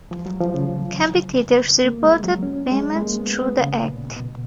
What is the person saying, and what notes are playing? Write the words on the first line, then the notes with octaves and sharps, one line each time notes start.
Competitors reported payments through the act.
F3
F#3
F3
C#3
A#3
G#3
F#3
C#4
G#3
G#3
A#3
B3
B3
C#3
A#2
B2